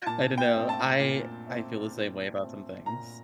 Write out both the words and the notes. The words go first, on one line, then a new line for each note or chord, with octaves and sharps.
I dunno. I I feel the same way about some things.
A#2 A5
G5
A3 C4
A5
A#2
A3 C4
A#2
A3 C4
A#2 A#5